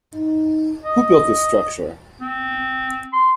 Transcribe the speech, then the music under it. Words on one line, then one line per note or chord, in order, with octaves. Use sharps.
Who built this structure?
D#4
D#5
C4
C6